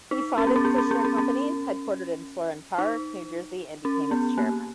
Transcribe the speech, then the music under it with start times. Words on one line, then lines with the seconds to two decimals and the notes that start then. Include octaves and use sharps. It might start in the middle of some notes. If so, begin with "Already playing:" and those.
He founded Kushner Companies-headquartered in Florham Park, New Jersey-and became its chairman.
0.11 D#4
0.38 C#4
0.47 B3
0.56 C#4
0.65 B3
0.78 C#4
0.91 B3
1.05 C#4
1.18 C#4
2.78 D#4
3.85 C#4
4.11 B3
4.38 A#3